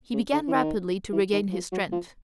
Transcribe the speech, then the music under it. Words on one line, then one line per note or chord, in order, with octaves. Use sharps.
He began rapidly to regain his strength.
C#3
D3
E3
D#3
E3
D#3
F3
F#3
F3